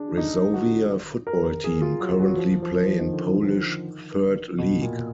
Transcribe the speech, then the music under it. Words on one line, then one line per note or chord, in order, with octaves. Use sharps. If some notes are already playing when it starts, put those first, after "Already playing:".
Resovia football team currently play in Polish Third League.
Already playing: D4 G#4
D#4
F#4
A#4
G#4
F4
F#3
F#3
F3
F3
F3
D#3
D3
D#3
B2
A#2